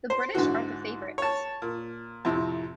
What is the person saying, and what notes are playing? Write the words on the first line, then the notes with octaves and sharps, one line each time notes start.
The British are the favorites.
C5
G#2 D3 E3 F#4
C#5 A5
A#2
F2 A2 C3